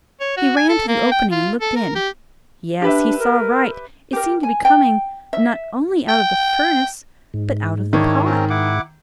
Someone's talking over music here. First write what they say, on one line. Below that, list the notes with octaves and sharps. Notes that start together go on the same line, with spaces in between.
He ran to the opening, and looked in: yes, he saw right; it seemed to be coming, not only out of the furnace, but out of the pot.
C#5
F#4
G#5
A4
A#3
G5
F4
A4
A#4
G4
D4 G4 B4 E5
A#4
G4 A#4
G#5
G5
E5
G5
G#2
D#3 D4 E4 C#5
C4 C#4 A#4
E4 F#5 D6